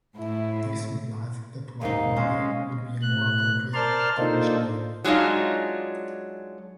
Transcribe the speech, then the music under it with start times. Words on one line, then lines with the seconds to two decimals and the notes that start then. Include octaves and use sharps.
This implies that "white noddy" would be a more appropriate English name.
0.18 A2 E4
1.81 D#2 G#2 D#4 F5
2.16 G#3 C#4 C5
3.02 A2 F#6
3.74 A#4 C5 D5 A5 C6 F6
4.18 A#3 D4 D#4 F4 A4 C5
5.04 F#3 G#3 D4 D#4 F4